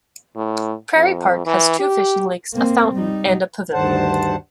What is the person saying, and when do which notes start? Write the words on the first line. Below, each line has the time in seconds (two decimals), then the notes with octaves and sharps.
Prairie Park has two fishing lakes, a fountain, and a pavilion.
0.36 A2
0.96 F2
1.46 E3
1.79 G4
2.54 A#3 C4
2.94 G3 D#4
3.73 D2 G2 D#3 C5 F#5 A5